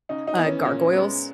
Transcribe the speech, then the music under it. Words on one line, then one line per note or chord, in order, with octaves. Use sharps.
uh, Gargoyles?
C#3 D#4
D#4
E3 B3
C#4
A#2 C#4
G#3 B3